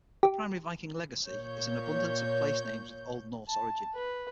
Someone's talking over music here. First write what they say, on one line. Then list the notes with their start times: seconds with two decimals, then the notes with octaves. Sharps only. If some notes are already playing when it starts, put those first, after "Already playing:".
The primary Viking legacy is an abundance of placenames of Old Norse origin.
0.23 G4
1.26 A#2 C#5 G6
3.49 A5
3.95 B4